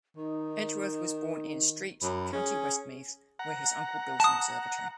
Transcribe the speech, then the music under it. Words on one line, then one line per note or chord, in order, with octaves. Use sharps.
Edgeworth was born in Streete, County Westmeath, where his uncle built an observatory.
D#3 D#4
F#2 B5
C#4 G#4
F#5 A#5
A5 D#6